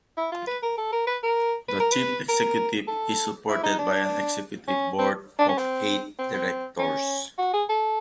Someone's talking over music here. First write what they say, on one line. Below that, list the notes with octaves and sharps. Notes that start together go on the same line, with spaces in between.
The chief executive is supported by an Executive Board of eight directors.
E4
F4
B4
A#4
A4
A#4
B4
A#4
B4
A#4
B4
A#4
A4
E4
D#4
D4
C#4
C4
D4
C#4
C4
C4
C4
C#4
F#4
G#4
A4